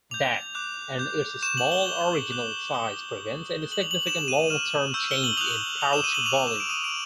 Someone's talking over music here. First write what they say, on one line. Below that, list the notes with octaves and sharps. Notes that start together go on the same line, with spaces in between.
That, and its small original size, prevents any significant long-term change in pouch volume.
D6 G6 F7
D6 F#6
D6 G6
C#6 F#6 E7
F#7
G7
D6 G6
D6 F#6
D#6 F#6 G7
D6 G6
D#6 F#6 G7
F#7
F7
F#7
D6 G6 E7
D#7
C#6 F6 E7
C#6 E6 G6
G7
F#7
D#6 F#6 F7
D6 F#6 F7
E7
D#7
F#7
C#6 F6 F7
E7
D7
D#6 F#6 D#7
D7